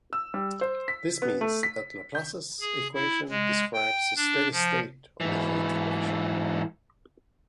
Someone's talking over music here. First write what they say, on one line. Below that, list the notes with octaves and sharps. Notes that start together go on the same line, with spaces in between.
This means that Laplace's equation describes a steady state of the heat equation.
E6
G3
C5
B6
B3
A3
B6
G6
G#4
E4
G#3
G5
D4
F3
G#2 E3